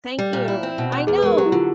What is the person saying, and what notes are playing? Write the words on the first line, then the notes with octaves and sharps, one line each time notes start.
Thank you, I know,
G3
A#2
E4
C4
B2
E2
E2 G#4
B4
G#3 A#4
F#3 G4
E4
D3 F4